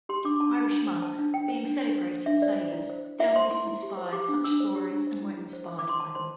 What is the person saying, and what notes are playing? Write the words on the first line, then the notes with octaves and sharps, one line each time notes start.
Irish monks, being celebrated sailors, doubtless inspired such stories and were inspired by them.
G4 C6
D4 D6
D4 A5
D4
D4
C5
C5 A5
D4
D4 G5
C5
D4
D4
C5
C5
D4 E5
C5 D5
C5
E4
C5
C5
E4 E5
C5 C6
E4 C6
E4
G4
C5
G4 D6
D4
D4 E6
C5
G4
D4
C5
E4
E4
C5
C5
D6
E4
C6
C5 A5
C5 C6